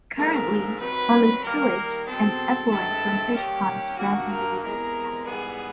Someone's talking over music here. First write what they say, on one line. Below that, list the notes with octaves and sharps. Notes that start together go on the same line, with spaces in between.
Currently, only sewage and effluent from fish ponds run in the river's channel.
G#2 F3 A3 D4 A#4
C3 D#3 F#3 B4
D#3 G3 A#3 A#4
B2 G#3 C4 A4
G2 E3 G#3 C4 E4 A4
D#2 D#3 G3 A#3 C#4 G4
G2 D#3 F#3 A#3 F#4
A#4
E2 C3 E3 G#3 A#4
G#2 E3 G3 B3 G#4